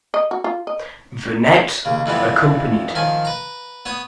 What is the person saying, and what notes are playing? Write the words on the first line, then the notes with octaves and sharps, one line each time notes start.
Vernet accompanied him.
D#5
F#4
F4
D#5
D#2 C#3
F2 E3 G3 B3
D#3 F3 G#5
B4 A#5
B3 C#5 D#6